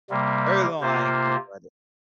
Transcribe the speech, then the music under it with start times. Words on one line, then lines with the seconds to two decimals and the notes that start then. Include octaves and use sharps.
early on, I ain't care about it.
0.10 C3 G3 A#3
0.80 C3 A#3 F4 C5